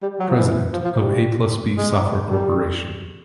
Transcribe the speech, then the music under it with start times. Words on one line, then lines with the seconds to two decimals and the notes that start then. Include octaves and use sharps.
President of AplusB Software Corporation.
0.02 G3
0.19 F#3
0.28 F3
0.37 E3
0.73 F3
0.84 F3
0.96 G3
1.77 G#3
2.29 G3